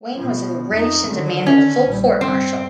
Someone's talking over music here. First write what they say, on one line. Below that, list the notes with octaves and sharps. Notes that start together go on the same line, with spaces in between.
Wayne was enraged and demanded a full court-martial.
B2 F3
F2 D#4
D3 D#3
C#4
A#1 G3
G2 C4